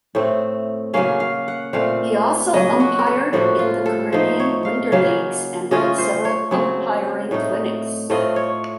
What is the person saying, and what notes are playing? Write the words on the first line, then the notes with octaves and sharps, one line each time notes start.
He also umpired in the Caribbean winter leagues, and ran several umpiring clinics.
A2 A3 C4
C#3 F#3 A#3 C#4 F5
F5
F#5
A#2 A3 C4 F5
C#3 F#3 A#3 D#5
F#4
A#4
A4
A2 F3 A#3 F#4
F4
A4
F3 A3 D#4 C5
C#5
F5
C#3 F#3 A#3 F5
C#3 A3 C#4 F4 D#5
C5
C#5
C#3 F#3 C4
A2 A3 D#4
A2 A3 C4 F4 D#5
C#5